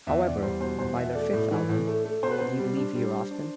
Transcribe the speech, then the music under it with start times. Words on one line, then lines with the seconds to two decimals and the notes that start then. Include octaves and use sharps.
However, by their fifth album, Do You Leave Here Often?
0.07 E2 E5
0.25 E2 D5
0.43 G3 C5
0.61 B2 C5
0.79 E2 C5
0.97 B2 E5
1.15 A3 D5
1.33 A2
1.51 E3
1.69 A2
1.87 A3
2.05 A3
2.23 B2 C5
2.31 B4
2.38 B2 C5
2.59 G3
2.77 D4
2.95 G3
3.13 D4
3.31 D4